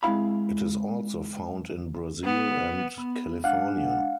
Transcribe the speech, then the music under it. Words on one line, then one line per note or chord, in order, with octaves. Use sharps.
It is also found in Brazil and California.
G#3 C4 C#4 E4 F5 B5
B3
B3
G#3 D4 F5 F#5